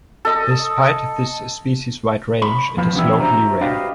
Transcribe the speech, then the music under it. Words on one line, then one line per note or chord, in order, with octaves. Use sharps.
Despite this species' wide range, it is locally rare.
A4 D#5
B5
E2 F3 F4 B4
E3 B3 C#4 D4 G4 E5
D4 F#4 C5 E5 A#5
D4 F#4 G4 B4 D#5 F5